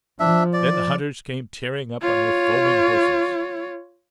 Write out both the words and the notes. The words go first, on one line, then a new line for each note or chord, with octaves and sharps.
Then the hunters came tearing up on their foaming horses.
F3 D4 E5
D5
F4 C#5